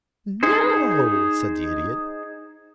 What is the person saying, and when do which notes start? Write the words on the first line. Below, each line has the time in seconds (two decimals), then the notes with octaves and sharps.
"No," said the Idiot.
0.43 D#4 G#4 C5